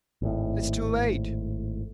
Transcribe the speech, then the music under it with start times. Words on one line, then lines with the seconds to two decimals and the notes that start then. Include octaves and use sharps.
"It's too late!"
0.22 G#1 A2